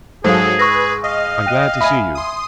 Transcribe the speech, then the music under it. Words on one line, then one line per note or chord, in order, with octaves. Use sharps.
I am glad to see you.
G#2 F#3 G#3 G#4 A4 C5 F5
B4 C#6 E6 A#6
D#5 F5
G5 F#6 D#7
E5 G#5 B5 D#7
C6 D#6